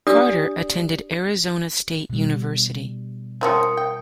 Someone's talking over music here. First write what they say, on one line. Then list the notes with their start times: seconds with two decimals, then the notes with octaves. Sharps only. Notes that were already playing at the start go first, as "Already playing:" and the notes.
Carter attended Arizona State University.
0.07 D4 G4 D5 D#6
2.10 B2 G3
3.41 F3 C4 C#4 A#4 D#6 C#7
3.77 G5